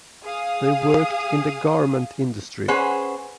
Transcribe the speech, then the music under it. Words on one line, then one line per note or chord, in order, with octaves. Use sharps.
They worked in the garment industry.
G#4 F5 D#6
C#4 G#4 B4 C5 F#5